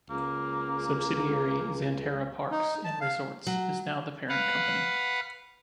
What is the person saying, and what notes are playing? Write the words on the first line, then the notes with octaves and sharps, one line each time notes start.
Subsidiary Xanterra Parks and Resorts is now the parent company.
C#2 A#3
D#4
A5
F5
F#3
B4 F5 F#5